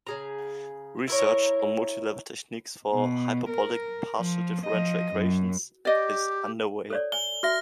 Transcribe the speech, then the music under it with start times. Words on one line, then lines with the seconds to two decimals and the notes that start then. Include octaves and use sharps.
Research on multilevel techniques for hyperbolic partial differential equations is underway.
0.07 C#3 G#4 A#5
1.07 E4 A#4 C#5
2.94 B2
3.49 A#4
4.18 F3
4.66 F3 D#5
5.14 F#2
5.85 G4 D5 D#5
6.90 A4 C#5 D5
7.12 G#5 G7
7.43 F#4 E5 F6 A#6